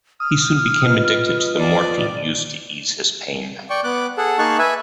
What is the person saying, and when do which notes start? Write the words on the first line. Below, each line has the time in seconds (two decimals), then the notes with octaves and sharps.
He soon became addicted to the morphine used to ease his pain.
0.20 D#6 F6
0.86 F4 B4 D#5
1.57 D5
3.70 D5 G5 C#6
3.84 B3 D6 F#6
4.17 G#4 A4 F#5
4.38 A#3 D#4 G#4 A5 C#6 F#6
4.59 B4 E5 G#5